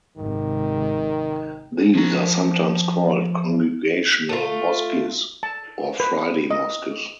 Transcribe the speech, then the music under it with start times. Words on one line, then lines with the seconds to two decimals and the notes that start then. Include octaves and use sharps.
These are sometimes called Congregational mosques or Friday mosques.
0.17 G#1 C3 D#3
1.95 F3 A#5
4.29 A3 F4
5.43 A5
6.00 B4
6.51 D#5